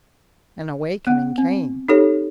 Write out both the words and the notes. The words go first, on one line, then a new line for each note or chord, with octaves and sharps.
An awakening came.
B3 F#5
C4
D#4 G4 A4 C#5